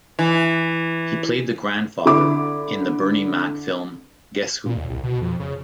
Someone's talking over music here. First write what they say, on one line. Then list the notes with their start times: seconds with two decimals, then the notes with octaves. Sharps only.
He played the grandfather in the Bernie Mac film "Guess Who".
0.19 E3
2.05 D3 E4 D6
4.66 A#2
4.77 D#2
4.89 C2
5.04 B2
5.22 F2
5.40 C#3